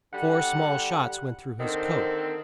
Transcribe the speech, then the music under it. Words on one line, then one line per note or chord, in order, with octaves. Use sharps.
Four small shots went through his coat.
D3 G3 F#5
D3 D#3 C4